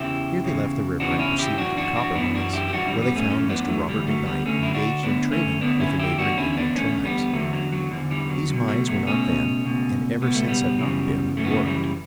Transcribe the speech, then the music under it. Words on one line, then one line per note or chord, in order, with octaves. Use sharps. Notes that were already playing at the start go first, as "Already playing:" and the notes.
Here they left the river and proceeded to the copper mines, where they found Mr. Robert McKnight engaged in trading with the neighboring Indian tribes. These mines were not then, and ever since have not been, worked.
Already playing: E2 C#3 E3 E4 G4
E2 C#3 E3
E2 C#3 E3 D4 F#4
D4
C#4 E4
E4 G4
F#2 E3 D4 F#4
D4 F#4
D4 F#4
F#2 E3 B3 D4
D4 F#4
E4 G4
G4
F#2 E3 D4 F#4
E3 G3
G3 B3
A3 C#4
F#2 E3 A3 C#4
B3 D4
F#3 A3
D2 D3 E3 G3
F#3 A3
G3 B3
D2 D3 A3 C#4
E4
D4 F#4
D2 D3 B3 D4
A3 C#4
D2 D3 B3 D4
C#4 E4
E4 G4
E2 D3 D4 F#4
C#4 E4
B3 D4
E2 D3 A3 C#4
G3 B3
E2 D3 F#3 A3
F#3
F#3
E2 D3 E3
E3 G3
F#3
C#2 B2 F#3
F#3 A3
F#3 A3
C#2 B2 A3 C#4
C#2 B2
C#2 B2 B3
A3
G3 B3
F#2 C#3 E3
F#2 C#3 E3 A3
B3
F#3 A3
E3 G3